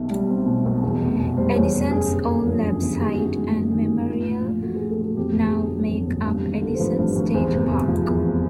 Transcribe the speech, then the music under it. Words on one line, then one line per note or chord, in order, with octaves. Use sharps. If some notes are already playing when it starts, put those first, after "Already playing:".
Edison's old lab site and memorial now make up Edison State Park.
Already playing: B1 B2 E5
G3
C4
B2
B1
E2
F1
B2
G3 C5
E2 C#5
F1
F#2 G#4
G1
D3
F3
F#2
G1
D#3 G#4
G4
F#4
F#2
F#4
G#3
F#2
D#3
F#2
A2 F4
A#1
F3
A3 F#4
G#4
A2
A4
A#1
A4
F2 G4
G1 G4
G#4
D3
F#3
F2
G1
G2
G#1
D3
C5
F3 B4
G2
G#1
E2 C5
F1
C3
F3
E2